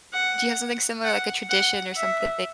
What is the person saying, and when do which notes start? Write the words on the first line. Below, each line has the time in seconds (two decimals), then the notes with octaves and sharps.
do you have something similar, like, a tradition or something
0.13 F#5
1.04 F#5
1.49 F#5
1.96 E5